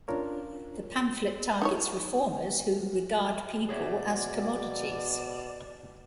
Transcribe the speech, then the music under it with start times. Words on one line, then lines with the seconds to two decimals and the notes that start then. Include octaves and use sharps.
The pamphlet targets reformers who "regard people as commodities".
0.08 C#4 D4 F4 A#4 C#5
1.62 D#4 E4 C#5
3.69 B2 G#4 C#5 D5 E5